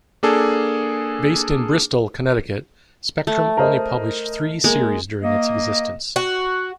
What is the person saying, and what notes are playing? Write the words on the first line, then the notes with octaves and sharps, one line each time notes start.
Based in Bristol, Connecticut, Spectrum only published three series during its existence.
A#3 D4 G#4 A4
A3
A#4 C5 D#5
G#3 A#3
A#3 D#5
F#4